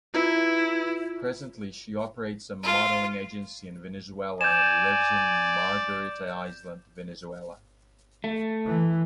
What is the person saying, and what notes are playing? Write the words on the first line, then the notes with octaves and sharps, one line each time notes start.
Presently, she operates a modeling agency in Venezuela and lives in Margarita Island, Venezuela.
E4 F4 B4
F4
D5 G#5 G6 E7
A3
E3